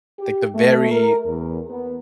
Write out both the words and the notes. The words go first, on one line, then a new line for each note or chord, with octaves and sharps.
like, the very
G4
A3
A#4
E2
B3